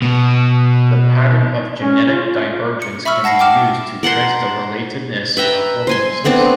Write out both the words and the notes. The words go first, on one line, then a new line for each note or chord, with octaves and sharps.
The pattern of genetic divergence can be used to trace the relatedness of organisms.
B2
C#4
F4
C#7
E5 B5 C#6 E6 F6
F#5 A5 A#6 C7 C#7
F#5 G5 D6 F6 E7
A#4 F#5 A5 C6
B4 E5 G5 A#5
C5 G#5 C6
A3 B3 C4 D4